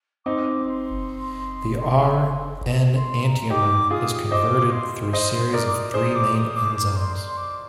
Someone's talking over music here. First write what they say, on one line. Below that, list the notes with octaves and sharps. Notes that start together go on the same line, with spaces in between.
The R-enantiomer is converted through a series of three main enzymes.
C4 D#4 D6
C6
C6
A#5
D#4 G4 D6
F4 G#4 D#6
C5 D#5 D6
C6
C5 D#5 C6
C6
A#4 D5 D#6
D6
D#6
G#4 C5 D#6
D6
D#6
D6
D6
C6
C6
D6